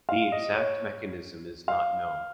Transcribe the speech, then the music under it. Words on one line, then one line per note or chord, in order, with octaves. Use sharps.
The exact mechanism is not known.
F5
D#5
C#5
F5